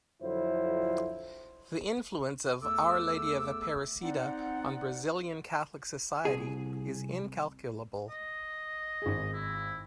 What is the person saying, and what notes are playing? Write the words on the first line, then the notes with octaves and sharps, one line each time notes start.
The influence of Our Lady of Aparecida on Brazilian Catholic society is incalculable.
F2 D3 F#3 E4 F4 C5
E2 A3 A4 D6 E6
C4 D#4 D5 F#5
C2 G#4
D#5
G#1 G#4
E4